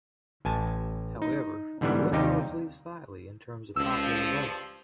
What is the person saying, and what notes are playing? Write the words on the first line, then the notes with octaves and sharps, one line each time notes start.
However, the Liberals lead slightly in terms of popular vote.
A1 G#5 A5
D#4
G#2 D3 E3 G3 B3 E4
D#2 C3 G3 D#4 G4
C#2 G2 F3 E6